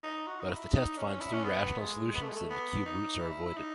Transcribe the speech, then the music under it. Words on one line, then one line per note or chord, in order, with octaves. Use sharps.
But if the test finds three rational solutions, then the cube roots are avoided.
D#4
F#4
D#4
E4
D#4
C#4
E4
C#4
B3
G#3
B3
A3
G#3
A3
B3
D#4
E4
E4
D#4